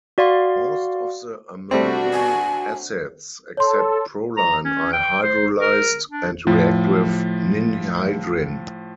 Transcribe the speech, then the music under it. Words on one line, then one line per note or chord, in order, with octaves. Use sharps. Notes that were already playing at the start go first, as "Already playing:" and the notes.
Most of the amino acids, except proline, are hydrolyzed and react with ninhydrin.
F#4 D5 F5 C6
G3 A3 C4 D4 F#4
G#5
A4 C#5 C6
A#5
C#4
G5
C5
A#4
D4
A2 F3